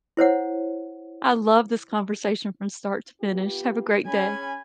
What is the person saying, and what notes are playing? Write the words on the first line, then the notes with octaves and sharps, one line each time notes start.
I loved this conversation from start to finish. Have a great day.
E4 C5 C#5 F#5
B3 F4 G4
C#4 G#4 G#5 B5